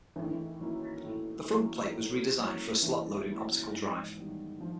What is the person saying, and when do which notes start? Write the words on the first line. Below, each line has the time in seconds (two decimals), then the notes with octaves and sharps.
The front plate was redesigned for a slot-loading optical drive.
0.16 A2 E3
0.23 D#3
0.31 E3
0.61 F#3 A#3 C#4 E4
1.05 A2
1.50 F#3 A#3 C#4 E4
1.94 A2
2.39 F#3 A#3 C#4 E4
2.83 A2 E3
3.28 F#3 A#3 C#4 E4
3.72 G#2
4.17 D#3 G3 B3
4.61 F3